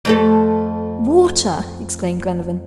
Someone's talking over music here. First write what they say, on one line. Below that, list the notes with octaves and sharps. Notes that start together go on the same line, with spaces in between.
"Water!" exclaimed Glenarvan.
F2 A3 A4